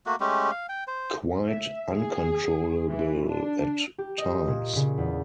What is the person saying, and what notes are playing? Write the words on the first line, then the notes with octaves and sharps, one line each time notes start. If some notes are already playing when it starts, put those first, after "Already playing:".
Quite uncontrollable at times.
A3 A#3 F#4
G#3 A3 C#4 G4
F5
G5
C5
E5
G#4
E3
D4
G4
D#5
A#2
C#3
E2